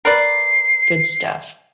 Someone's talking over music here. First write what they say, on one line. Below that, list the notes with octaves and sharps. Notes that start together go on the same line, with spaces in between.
Good stuff.
A#4 B4 D5 C7